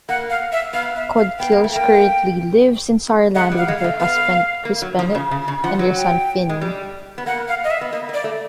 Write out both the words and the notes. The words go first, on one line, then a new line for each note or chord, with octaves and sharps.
Kohde-Kilsch currently lives in Saarland with her husband, Chris Bennett, and their son, Fynn.
A#3 F#5
F5
E5
B3 F5
E5
F5
B3 G5
A#3
A3
A#3 G5
G#3 F#5
G3
F5
G#3
F5
A3
B3 F5
A#3
F#3
F3
C#3
C#3
C#3
F3 F#5
F#3
G5
G#3
G3
B3
A#3 F#5
F5
D#5
E5
B3
A#3 D#5
A#3
D5
A3